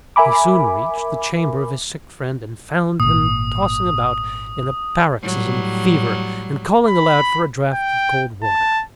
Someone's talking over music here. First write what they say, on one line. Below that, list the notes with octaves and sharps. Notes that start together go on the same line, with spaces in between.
He soon reached the chamber of his sick friend, and found him tossing about in a paroxysm of fever, and calling aloud for a draught of cold water.
A#4 E5 G#5 B5 D6
G#1 A#2 D#6
A2 F#3 G3
B5
G5
A5